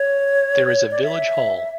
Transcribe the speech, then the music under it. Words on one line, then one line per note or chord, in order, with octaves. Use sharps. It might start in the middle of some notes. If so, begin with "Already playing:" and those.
There is a village hall.
Already playing: C#5
D5
E5